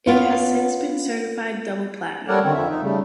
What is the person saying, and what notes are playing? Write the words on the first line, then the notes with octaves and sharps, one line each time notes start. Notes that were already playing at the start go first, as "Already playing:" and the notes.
It has since been certified double platinum.
B3 C#4 F4
G3 A4 A#4 C#5 D5 F#5
D3 D#3 C4 C#4
F2 F3 E5
D#4
C#3 G3 A3